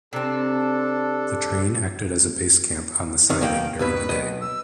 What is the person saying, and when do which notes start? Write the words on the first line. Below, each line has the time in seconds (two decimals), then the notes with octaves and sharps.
The train acted as a base camp on the siding during the day.
0.13 C3 C4 D4 A4
3.30 C3 D#3 F6
3.41 B1 D#3 A#3 G5
3.79 C2 G2 B2 B4
4.09 B1 D#5
4.41 E6